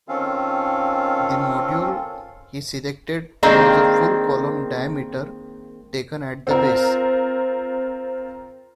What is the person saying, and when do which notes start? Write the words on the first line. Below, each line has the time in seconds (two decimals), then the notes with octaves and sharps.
The module he selected was a full column diameter taken at the base.
0.08 D#3 C4 C#4 F4 A4 F5
3.43 D#3 G#3 A#3 C4 D4
6.47 C4 F4 A#4